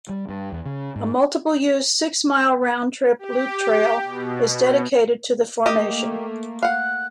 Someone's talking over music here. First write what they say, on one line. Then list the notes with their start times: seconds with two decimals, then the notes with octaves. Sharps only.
A multiple-use, six-mile round trip loop trail is dedicated to the formation.
0.09 G3
0.29 G2
0.52 E2
0.66 C#3
0.96 G#2
3.19 G4
4.03 B2
5.66 A3 A#3 G4 D#5
6.63 F5 F#5 F#6